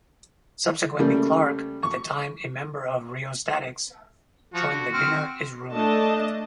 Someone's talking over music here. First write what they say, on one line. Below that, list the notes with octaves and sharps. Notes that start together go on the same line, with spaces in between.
Subsequently Clark, at the time a member of Rheostatics, joined The Dinner is Ruined.
C#3 G3 A3 A#3
C#6
F3 F#4
D3
C4 F6
A3 D4 D#5 A5